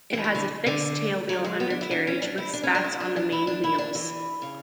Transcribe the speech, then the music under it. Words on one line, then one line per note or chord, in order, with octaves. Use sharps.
It has a fixed tailwheel undercarriage with spats on the main wheels.
E3
E3
D3
D3
F#3
G#3
B3
D4
E4
D4
C#4
D4
E4
D4
C#4
D4
E4
D4
D4
E4
D4
E4
D4
E3
C#3